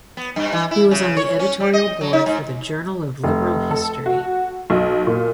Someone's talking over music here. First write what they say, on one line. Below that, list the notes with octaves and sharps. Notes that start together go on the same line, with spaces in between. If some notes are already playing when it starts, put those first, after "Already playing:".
He was on the editorial board for the "Journal of Liberal History".
B3
G2
E3
E4
C#3
C#5
C#4
G3
D#5
F#3
D#4
G#2
F1
A4
F#4
B1
A#2